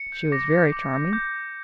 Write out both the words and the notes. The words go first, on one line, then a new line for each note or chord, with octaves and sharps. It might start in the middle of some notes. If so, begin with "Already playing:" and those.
She was very charming.
Already playing: C#7
G6
D6 A#6
G6
D6
G6
D6 G6